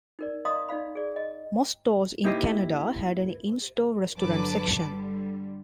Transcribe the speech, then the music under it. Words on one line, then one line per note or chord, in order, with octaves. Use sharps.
Most stores in Canada had an in-store restaurant section.
D#4 A#4 D5
D5 D#5 F5 A#5 C6 D#6
D#4 D5 F5 B5
G#4 D5
D#5
A#3 D#4 E4 G4 C5 D#5
G1 D3 F#3 B4 A5 D6
D3 G3